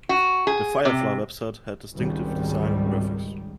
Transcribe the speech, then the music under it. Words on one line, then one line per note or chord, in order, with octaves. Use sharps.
The Firefly website had distinctive design and graphics.
F#4
G#4
C3
G#1 C#2 D#3 G3